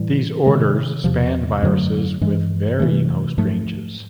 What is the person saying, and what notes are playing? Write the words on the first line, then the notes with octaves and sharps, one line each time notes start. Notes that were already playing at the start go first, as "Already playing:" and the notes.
These orders span viruses with varying host ranges.
Already playing: A2 E3 G3
C3 D#3 G#3
E2 C3 F3
F#2 D3 F#3 A3
G2 E3 G#3
C3 E3 A3
G#2 F3 A3